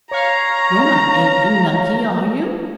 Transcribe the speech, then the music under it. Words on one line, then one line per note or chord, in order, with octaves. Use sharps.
You're not ailing, Nunkie, are you?
C#5 F5 A#5